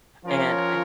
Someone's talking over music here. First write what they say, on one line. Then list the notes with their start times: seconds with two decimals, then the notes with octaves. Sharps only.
and I
0.24 F3 C#4 F4 A#4 C#5